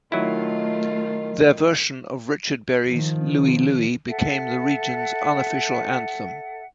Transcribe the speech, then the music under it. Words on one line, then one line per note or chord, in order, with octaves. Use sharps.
Their version of Richard Berry's "Louie, Louie" became the region's unofficial anthem.
D#3 F#3 A3 E4 F4
D#3 F3
A4 E5 F#5